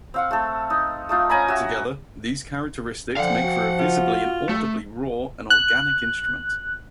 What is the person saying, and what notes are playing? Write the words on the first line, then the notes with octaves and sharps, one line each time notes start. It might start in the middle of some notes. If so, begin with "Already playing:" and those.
Together, these characteristics make for a visibly and audibly raw and organic instrument.
C4 F5 F#5
A3 A4
D#4
A3 D#4 F4
C#4 G#5 A#5 B5
F#4 E5
D3 F3 F5 F#5
F#4
F4
A3
F#6